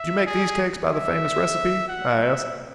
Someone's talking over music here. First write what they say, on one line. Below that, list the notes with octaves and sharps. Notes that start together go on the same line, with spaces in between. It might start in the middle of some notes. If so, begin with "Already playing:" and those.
"Did you make these cakes by the famous recipe?" I asked.
Already playing: E5
G#4
E5
F#5
E5